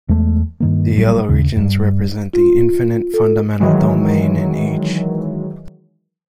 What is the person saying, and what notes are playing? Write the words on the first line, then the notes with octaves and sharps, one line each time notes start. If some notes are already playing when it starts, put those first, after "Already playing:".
The yellow regions represent the infinite fundamental domain in each.
E2 G#3 A3
G2 D#3 A#3
A1 A2 F#3 G3
D#2 C#3
G2 G3
F4
A4
D#3 E3 F#3 G#3